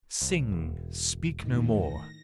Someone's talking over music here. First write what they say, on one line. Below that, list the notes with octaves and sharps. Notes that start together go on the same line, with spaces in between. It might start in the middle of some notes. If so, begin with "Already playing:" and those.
Sing! speak no more!
C2
E1
A2 D#3
A#6